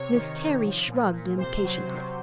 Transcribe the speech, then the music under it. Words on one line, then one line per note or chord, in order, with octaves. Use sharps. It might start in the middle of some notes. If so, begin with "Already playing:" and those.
Miss Terry shrugged impatiently.
Already playing: C3 C#5
D#3
C3
F3
A#2
A#2
C3 C5
F#3
C3